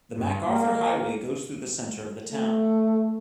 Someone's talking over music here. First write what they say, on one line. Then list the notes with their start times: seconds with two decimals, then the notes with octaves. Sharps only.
The MacArthur Highway goes through the center of the town.
0.16 G2
0.48 A#3
2.32 A3